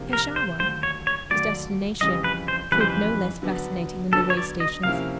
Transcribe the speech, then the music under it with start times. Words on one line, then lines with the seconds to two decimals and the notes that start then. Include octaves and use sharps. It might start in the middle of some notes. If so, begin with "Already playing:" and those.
Peshawar, his destination, proved no less fascinating than the way stations.
Already playing: C3 F3 A#3 D4
0.13 A#4
0.36 C5
0.59 D#2 D3 F#3 A3 C5
0.83 C#5
1.07 C#5
1.30 D#2 D3 F#3 A3 D5
2.01 F2 C#3 E3 G3 D#5
2.24 B4
2.48 C5
2.71 F2 C#3 E3 G3 B4
2.81 C5
2.90 B4
3.42 D3 F#3 B3 D4
4.13 D3 F#3 B3 D4 A4
4.30 C#5
4.37 D5
4.60 D#5
4.83 C3 F3 A#3 C#4 E4 F5